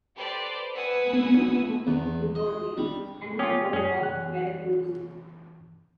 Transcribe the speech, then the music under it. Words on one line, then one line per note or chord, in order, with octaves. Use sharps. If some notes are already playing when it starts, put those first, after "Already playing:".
It is used mostly for football games and is the home of Veracruz.
G4 A4 B4 C5 D5
B4 F#5 G#5 D#6 E6
E2
D#5
G3
C#4 F4 G5 D6 D#6
F#2 C#4 G#4
E3 F#6